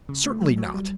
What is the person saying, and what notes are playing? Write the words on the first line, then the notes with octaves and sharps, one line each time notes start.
'Certainly not.
C#3
A3
F#3
F#3
G3